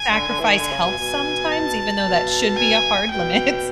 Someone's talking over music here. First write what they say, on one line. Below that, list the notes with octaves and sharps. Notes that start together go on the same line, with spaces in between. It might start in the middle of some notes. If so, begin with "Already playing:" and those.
sacrifice health sometimes, even though that should be a hard limit.
Already playing: G#5
D3
D3
E3
D#3 G#5
D3
C#3
B2
B2
A5
B2
G#5
B2 G5